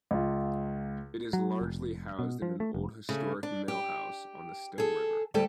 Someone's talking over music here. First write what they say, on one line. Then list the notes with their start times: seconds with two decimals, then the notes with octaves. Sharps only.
It is largely housed in an old historic mill house, on the Still River.
0.11 C#2 F4
1.33 F#3
1.61 F1
2.19 B2
2.42 F3
2.60 A3
2.74 F1
3.09 C#3 A3
3.43 D4
3.68 G4
4.78 G#4 A4
5.34 D2 G3 G4 A4